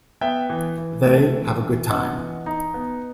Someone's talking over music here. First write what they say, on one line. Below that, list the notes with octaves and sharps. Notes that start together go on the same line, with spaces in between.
They have a good time.
B3 E5 G5
E3
E3
A3
E3
E3
B3 D#5 F#5
E3
D#4
B3